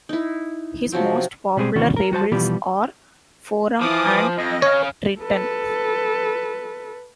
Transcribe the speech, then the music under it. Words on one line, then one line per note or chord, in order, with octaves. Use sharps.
His most popular labels are "Forum" and "Triton".
D#4 E4
C3 F3 F#3 C4
B2 G3 G#3 C4 G#4 C5
D#2 C3 E3 C#4 D4 F#4
A#4
G3 F#4 C5 A5
B2 E3 F3 G3 B3 G4
E3 F3 D6 D#6
F2 D#5
C#4 C#5 F5
A4 B4